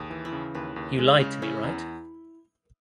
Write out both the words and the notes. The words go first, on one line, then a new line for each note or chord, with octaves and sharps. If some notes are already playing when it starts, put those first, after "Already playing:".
You lied to me right?
Already playing: D#2 G#4
E3
E4
C#3
D#2 B4
D#2
G#3
C#3
C#4 E4
E2